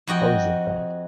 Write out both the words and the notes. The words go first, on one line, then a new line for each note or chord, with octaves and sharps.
How is it bad?
F2 F#4 D#5 G5